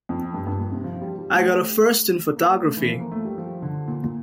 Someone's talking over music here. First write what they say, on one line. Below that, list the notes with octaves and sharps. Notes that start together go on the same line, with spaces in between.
I got a first in photography!
F2
G2
G2
A#2
C3
F3
G3
G3
A3
G3
A3
A#3
A3
E3
F3
A#3
A3
G3
F3
D3
A#2
A#2